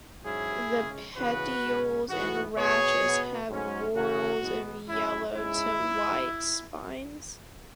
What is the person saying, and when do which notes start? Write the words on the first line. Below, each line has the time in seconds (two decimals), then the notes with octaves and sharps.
The petioles and rachis have whorls of yellow to white spines.
0.24 G#2 F#3 C#4 E4 G#4
0.69 C#3 G#3 C#4
1.16 C#3 E3 B3 F#4 B4
1.63 B2 G#3 C#4
2.09 G#2 E3 B3 F#4
2.55 B2 B3 G#4 C#5
3.01 B2 B3
3.48 G#2 F#3 C#4
3.94 C#3 E3 C#4 F#4
4.40 B2 G#3 B3
4.87 G#2 F#3 C#4 E4
5.33 G#2 G#3 C#4 E4